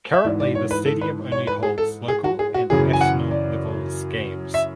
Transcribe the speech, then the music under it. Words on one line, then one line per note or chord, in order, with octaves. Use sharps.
Currently the stadium only holds local and national levels games.
E5
G#2 E3 D5
D5
C#5
B4
A4
B4
C#5
B4
G#4
A4
G#4
F#4
G#4
F#4
F#2 C#3 E3 G#4
G#5
F#5
D5
E5